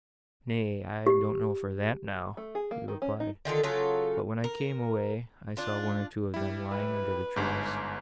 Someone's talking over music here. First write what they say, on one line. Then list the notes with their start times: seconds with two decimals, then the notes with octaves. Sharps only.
'Nay, I don't know for that, now,' he replied, 'but when I came away I saw one or two of them lying under the trees.'
1.07 G4
2.37 A3
2.55 G#4
2.71 A#3
2.88 D#3
3.02 C#4
3.20 D#4
3.45 D3 D#3 F4 A4
3.63 C#3 F#3 F4 A4
4.44 A#4
5.57 D4 F4
6.34 G3 E4
6.71 B4
7.36 G1 G#2